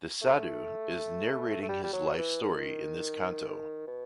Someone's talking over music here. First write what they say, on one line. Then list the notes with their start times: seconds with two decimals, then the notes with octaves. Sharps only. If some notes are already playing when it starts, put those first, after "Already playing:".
The sadhu is narrating his life story in this canto.
0.22 A3
1.62 A3
1.69 G3
1.83 G3
1.93 F#3
2.18 E3
2.42 D#3
3.87 B2